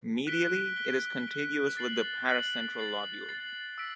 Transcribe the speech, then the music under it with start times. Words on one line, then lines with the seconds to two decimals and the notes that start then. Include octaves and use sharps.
Medially, it is contiguous with the paracentral lobule.
0.27 F#6 B6 D7 G7
0.76 F#6 B6 D7 G7
1.27 F#6 B6 D7 G7
1.77 A6 C7 F#7
2.28 A6 C7 F#7
2.78 A6 C7 F#7
3.29 A6 C7 F#7
3.78 E6 B6 D7